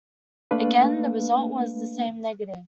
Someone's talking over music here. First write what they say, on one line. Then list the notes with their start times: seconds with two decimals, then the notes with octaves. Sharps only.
Again, the result was the same-negative.
0.51 A3 A#3 D4 B4 F5